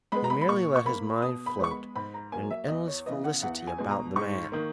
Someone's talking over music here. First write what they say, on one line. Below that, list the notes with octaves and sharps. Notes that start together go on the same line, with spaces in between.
He merely let his mind float in an endless felicity about the man.
G#3 B3 B5
A#5
B5
B5
A#2 C#6
C#6
A#3 B5
B2 D#6
B5
G#3 B3 C#6
B5
G#2 B5
A#5
F#3 A#3 G#5
E5
E2 D#5
C#5
C#3 E3 B3 D#5
F#5
E2 F#5
G#5
B2 G#3
A#5
G#2 C#6
D#3 A#3